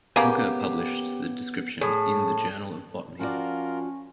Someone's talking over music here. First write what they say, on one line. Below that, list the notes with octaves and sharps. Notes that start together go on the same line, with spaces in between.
Hooker published the description in "The Journal of Botany".
C#3 A#3 B3 G4
A2 G#4
F3 C#4 F4 F#4 A#4 D5